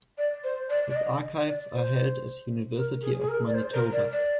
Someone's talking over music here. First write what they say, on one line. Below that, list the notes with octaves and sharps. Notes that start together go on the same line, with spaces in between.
His archives are held at University of Manitoba.
D5
C5
D5
D5
D#5
D5
C5
A#4
G#4
G#4
A#4
D5
C5
A#4
D5
D5